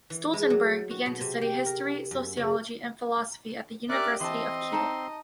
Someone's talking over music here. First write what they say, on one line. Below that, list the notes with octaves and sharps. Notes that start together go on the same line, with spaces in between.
Stoltenberg began to study history, sociology and philosophy at the University of Kiel.
E3
G#3
F#3
F#4
B2
C3
G4
A#4
F#2
C#3
C#4 G4 A#4 D5 E5 F#6
E3 C4 D#5 A5 C6
D#4 A5